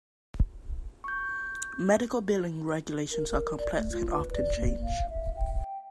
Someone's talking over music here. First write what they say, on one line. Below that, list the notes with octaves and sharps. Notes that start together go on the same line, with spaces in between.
Medical billing regulations are complex and often change.
C#6 G6
A#4
A#4
D5
A3
F4
B4
D5
A#3
F5
E5
G5
G5